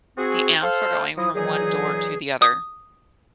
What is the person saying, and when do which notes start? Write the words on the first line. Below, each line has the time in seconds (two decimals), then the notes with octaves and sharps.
the ants were going from one door to the other.
0.17 C4 F#4 G#4
0.62 A4 C5 F5
1.17 F3 F#3 E4 D#6
1.35 A#2 E3 F#3 D#4 G#4
2.42 D#6